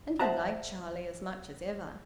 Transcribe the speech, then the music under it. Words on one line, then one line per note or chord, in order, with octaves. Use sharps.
And he liked Charlie as much as ever.
C5 E5 F#5 A5 A#5